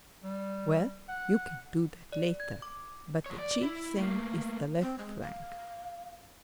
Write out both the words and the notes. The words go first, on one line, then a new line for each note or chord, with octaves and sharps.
"Well, you can do that later, but the chief thing is the left flank."
G3
F#5
D5
G#6
D6
F3 C#5
D5
E4
A3 A#3
C4
G#3
F5